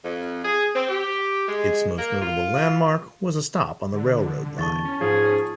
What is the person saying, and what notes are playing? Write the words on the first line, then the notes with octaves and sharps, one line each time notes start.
Its most notable landmark was a stop on the railroad line.
F2
G#4
C4
G4
G#3
A#3
F4
D3
E2 A5 C#6 A6
C#4
G#2 F3 C#4 G#4 G#6